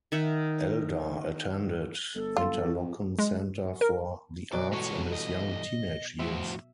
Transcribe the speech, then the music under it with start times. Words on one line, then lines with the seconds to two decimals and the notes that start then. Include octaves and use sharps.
Eldar attended Interlochen Center for the Arts in his young teenage years.
0.12 D#3 E5 F#5
2.15 G1 A4
2.37 F4
2.65 F2
3.18 G#3
3.81 A#4
4.53 B2 F#3 F#4 D5
4.72 E3 G3 G#3 A4 C#5
5.12 D#5
6.19 F2 A2 F#4 C5 E5